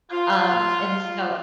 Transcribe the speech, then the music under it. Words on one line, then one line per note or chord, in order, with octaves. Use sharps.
um, and so
F4